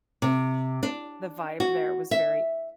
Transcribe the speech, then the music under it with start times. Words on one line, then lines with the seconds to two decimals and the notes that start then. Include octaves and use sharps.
The vibe there was very
0.22 C3
0.83 D4
1.60 F#4
2.11 E5